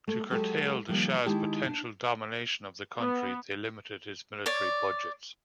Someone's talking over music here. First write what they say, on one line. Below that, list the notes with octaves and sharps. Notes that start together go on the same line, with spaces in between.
To curtail the shah's potential domination of the country, they limited his military budgets.
A3
F#3 G#3 F#4 G4 A4
D#3 F3 G3 A#3
D#3 G#3 E4 G4 A5
D4
B3
C#5 D5